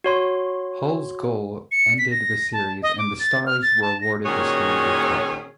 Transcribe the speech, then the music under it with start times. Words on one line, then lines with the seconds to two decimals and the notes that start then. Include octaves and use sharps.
Hull's goal ended the series and the Stars were awarded the Stanley Cup.
0.04 F#4 C#5 C6
1.72 C#7
1.98 B6
2.11 A#6
2.53 A5
2.83 D#5
2.98 D6
3.20 A6
3.46 F6
3.63 A6
3.82 A5
4.01 A#6
4.25 A#2 D#3 C#4 F#4 G#4 C#5